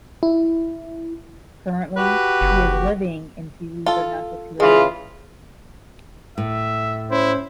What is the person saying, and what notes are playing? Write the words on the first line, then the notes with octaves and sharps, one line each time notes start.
Currently he is living in Thiruvananthapuram.
E4
F#4 G4 B4
F#1
F4 A4
C#3 E3 G#3 F4 G#4
A2 E5
C#4 E4 C5